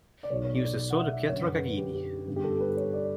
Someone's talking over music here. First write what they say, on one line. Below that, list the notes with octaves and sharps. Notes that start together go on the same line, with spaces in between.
He was the son of Pietro Gagini.
D5
B1 B2 F#3 C#5
C#5
D5
F#5
E5
E5
F#2 D3 F#3 C#5
B4
B4
G4
G4
G2 D3 G3 B3
G4
A4
B4
C#5
D5